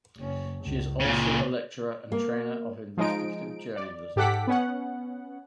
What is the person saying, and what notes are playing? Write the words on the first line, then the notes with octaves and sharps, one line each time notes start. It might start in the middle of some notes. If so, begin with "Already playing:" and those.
She is also a lecturer and trainer of investigative journalism.
F#1 C#4
C#2
A#2 C#3
A#3
F3 G#3 D#4 D7
D5
G#2 G4 A4 F#5 D6 B6
B3 C#4 F#5